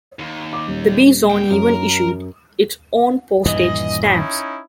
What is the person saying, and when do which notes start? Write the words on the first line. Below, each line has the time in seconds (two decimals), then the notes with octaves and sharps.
The B zone even issued its own postage stamps.
0.19 D#2
0.53 D6
0.67 D#1
1.30 B2 G5
1.50 F#2 A#4
3.46 D#1 G2 E3 D#5
4.03 C#4 D#4 E4